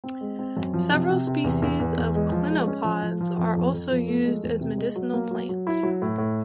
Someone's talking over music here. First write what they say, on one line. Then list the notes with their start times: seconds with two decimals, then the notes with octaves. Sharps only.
Several species of clinopods are also used as medicinal plants.
0.04 C4
0.21 G#3
0.39 C4
0.57 F#2
0.74 F3
0.91 C3
1.09 C3
1.27 C3
1.44 E2
1.62 E2
1.80 E2
1.98 E2
2.15 G#3
2.32 F3
2.50 G#3
2.67 C#4
2.84 F3
3.03 F3
3.21 F3
3.37 F2
3.56 F2
3.73 F2
3.91 F3
4.07 A3
4.25 G#3
4.44 E2
4.61 C3
4.78 G#3
4.96 F#3
5.13 A#3
5.31 F#3
5.49 F#3
5.67 E4
5.83 F#3
6.02 A2
6.18 A2